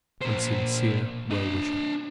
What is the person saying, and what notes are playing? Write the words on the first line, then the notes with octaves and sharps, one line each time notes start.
And sincere well-wisher.
A#2 C5
D4 D#5